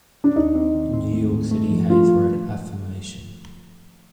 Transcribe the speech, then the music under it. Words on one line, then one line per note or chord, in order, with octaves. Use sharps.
In New York City, Hayes wrote "Affirmation".
D4
D#2 D#4
C4
D#3
C4
A3
A2
A3
F3
A3 F4